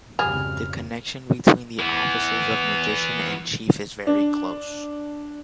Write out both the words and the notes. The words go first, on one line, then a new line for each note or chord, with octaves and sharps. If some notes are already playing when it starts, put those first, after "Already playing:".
The connection between the offices of magician and chief is very close.
G#1 F2 C#3 G3 G#4 F6
E3 B3
D4